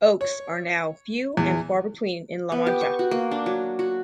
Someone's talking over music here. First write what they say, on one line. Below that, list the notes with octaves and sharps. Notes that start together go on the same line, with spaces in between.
Oaks are now few and far between in La Mancha.
C#5
E2
B3
G4
C#6
F#4
A#3
D4
F#3
F#4